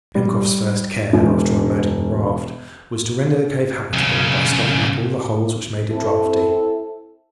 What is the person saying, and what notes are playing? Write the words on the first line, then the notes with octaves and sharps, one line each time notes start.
Pencroft's first care, after unloading the raft, was to render the cave habitable by stopping up all the holes which made it draughty.
G3
E1
B1 C#3
C4 E4 A4